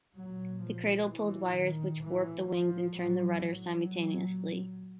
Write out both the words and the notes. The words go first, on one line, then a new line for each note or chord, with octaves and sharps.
The cradle pulled wires which warped the wings and turned the rudder simultaneously.
A#2 F#3
F3
A#2 E3
D#3
A2 E3
F3
A2 F#3
F#3
A#2